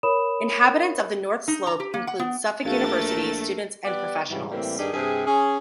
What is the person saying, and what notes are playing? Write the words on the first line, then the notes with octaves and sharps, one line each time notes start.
Inhabitants of the north slope include Suffolk University students and professionals.
A#4 C#5 B5 D#6 E7
D#4
A#5
G4
A#3
F#5
B3
A#1 A3 F#4 G#4 A#4 F5 A6
G3 B3 D5
G#2 C#3 E3 G3 F#4
A2 E3 G3 A#3 C4
G2 D#3 D#4 G#4 D5
G2 C3 C4 G#4
C#4 G#4